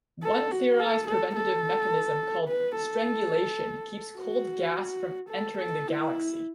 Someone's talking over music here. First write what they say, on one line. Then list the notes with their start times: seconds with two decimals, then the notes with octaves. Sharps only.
One theorized preventive mechanism called "strangulation" keeps cold gas from entering the galaxy.
0.24 A4
0.52 F#4
0.80 A4
1.08 A4
1.37 A4
2.49 B4
2.77 A4
4.18 F#4
5.30 A4
5.59 A4
5.88 E4